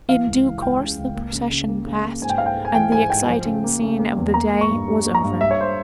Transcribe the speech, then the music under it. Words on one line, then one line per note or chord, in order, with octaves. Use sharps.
In due course the procession passed, and the exciting scene of the day was over.
E3 F5
C#2
E3
C#2 G5
C#3
C#2
A#3
C#3
C#3
A#3
C#3
A#3
G#2 G#5
G5
G#2 F5
G5
G#3
G#5
E3 G5
G#2 G#5
G#2 G5
F3
C#3
A#3
C#3
A#3
E2
A#3 A#5
A#3
C#6
G2
G3
A#3
A#5
G2
G2 E5
C#5
C5